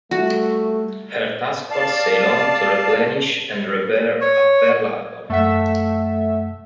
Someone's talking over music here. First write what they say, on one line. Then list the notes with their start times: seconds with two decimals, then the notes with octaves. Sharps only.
Her task force sailed on to replenish and repair at Pearl Harbor.
0.11 G3 A3 F#4
1.70 D5 F5 A5
4.21 C#5
5.30 F#2 A3 E5 F#5